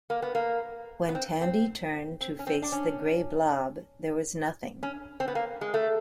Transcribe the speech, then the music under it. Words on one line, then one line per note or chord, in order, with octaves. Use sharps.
When Tandy turned to face the grey blob, there was nothing.
A#3
B3
A#3
B3
C4
C4
C4
C#4
C4
D4
C#4
C#4
C4
B3
A#3
G#3
A3